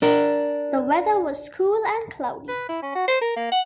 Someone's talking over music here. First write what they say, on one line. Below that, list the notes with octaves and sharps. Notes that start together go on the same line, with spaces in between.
The weather was cool and cloudy.
D4 A#4
B4
E4
C#4
F#4
C5
A#4
A#3
F#5